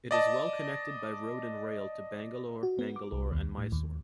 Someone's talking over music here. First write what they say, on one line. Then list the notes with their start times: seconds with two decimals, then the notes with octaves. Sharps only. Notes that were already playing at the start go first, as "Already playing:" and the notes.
It is well connected by road and rail to Bangalore, Mangalore and Mysore.
0.11 D5 D#5 A5
2.63 F#4
2.79 B3
2.96 D6
3.12 C2
3.32 D#2
3.58 A2
3.72 D#2